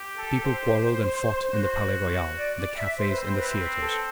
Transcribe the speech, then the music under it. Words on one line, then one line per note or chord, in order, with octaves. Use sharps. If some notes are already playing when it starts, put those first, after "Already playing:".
People quarrelled and fought in the Palais Royal, the cafes, and the theatres.
Already playing: G4
A4
C5
F#4
D5
D5
E5
C5
B4
C4 C5
B4
B4
A4